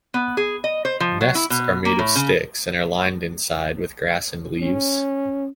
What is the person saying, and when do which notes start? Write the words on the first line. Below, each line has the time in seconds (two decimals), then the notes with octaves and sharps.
Nests are made of sticks and are lined inside with grass and leaves.
0.14 B3
0.37 G#4
0.64 D#5
0.85 C5
1.00 F3
1.21 F#3
1.35 E4
1.50 B2
1.85 A#3
1.99 A2
2.15 C#3
4.61 C#4